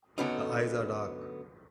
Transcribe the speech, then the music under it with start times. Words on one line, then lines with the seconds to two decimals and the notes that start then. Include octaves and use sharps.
The eyes are dark.
0.18 D3 F#3 A3 B3 C#4 D#4